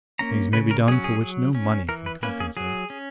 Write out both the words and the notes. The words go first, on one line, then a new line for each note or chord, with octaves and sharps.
Things may be done for which no money can compensate.
A#3 C#4 A#5
C#3 B4
A#4
F#3 C#4 G#4
G#4
F#3
C#4
E3 A#4
B4
A#3 C#4 B4
G#4
F#3 G#4
C#4